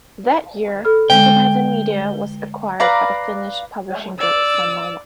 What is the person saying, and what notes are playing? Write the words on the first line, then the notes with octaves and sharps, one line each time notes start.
That year, Independent Media was acquired by the Finnish publishing group Sanoma.
A4 B5 F6
D3 G#3 G5
B4 D5 F5 A#5
D5 E6